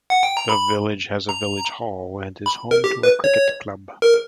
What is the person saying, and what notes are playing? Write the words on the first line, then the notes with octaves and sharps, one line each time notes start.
The village has a village hall and is home to a cricket club.
F#5
G5
A#5
B5
A#5
B5
A#4
G4
B4
C#5
A#4